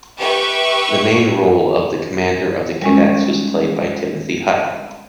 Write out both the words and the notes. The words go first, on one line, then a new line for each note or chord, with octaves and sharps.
The main role of the commander of the cadets was played by Timothy Hutton.
G4 B4 E5 C#6
G3 G#3 C#4